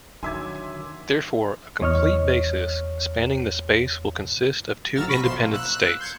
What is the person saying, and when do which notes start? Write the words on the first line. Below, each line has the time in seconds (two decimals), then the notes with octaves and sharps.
Therefore, a complete basis spanning the space will consist of two independent states.
0.23 D3 D#3 F#3 E5 G#5 C6 D6 G#6
1.81 E2 C#5 D#5 C#6 F6
4.95 A1 F#3 A#5 E6 F6 A6
5.09 B5 C#6 A#6 B6
5.23 A1 B2 F3 C6 E7
5.37 A#3
5.53 E6 F#6
5.99 C6 G6 G#6 C#7